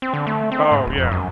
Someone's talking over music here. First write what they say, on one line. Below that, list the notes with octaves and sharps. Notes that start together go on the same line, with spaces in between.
Oh, yeah.
C4
D3
A3
C4
G#2
D1
F2
F#2